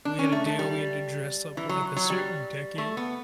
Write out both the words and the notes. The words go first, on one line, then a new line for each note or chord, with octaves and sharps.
we had a day where we had to dress up like a certain decade.
D4
C#4
A3
A3
G3
E3
F#3
F#3
G3
A3
B3